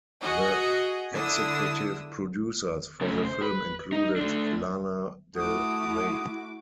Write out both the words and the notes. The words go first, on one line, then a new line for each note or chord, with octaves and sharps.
The executive producers for the film included Lana Del Rey.
F#4 G#4 D#5 F#5
D3 D4 E4 D#6 E6
C#3 A3
C5
B4
D#4
A3 D4
A3 E4 F#4 D6 D#6